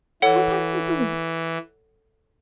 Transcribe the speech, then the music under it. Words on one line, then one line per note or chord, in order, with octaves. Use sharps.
"What are you doing?"
E3 A4 C#5 F#5